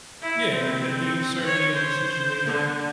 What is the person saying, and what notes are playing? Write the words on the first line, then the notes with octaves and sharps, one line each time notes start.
Yeah, tha that the absurdity of the situation.
E4
C4
C#5
C5
D3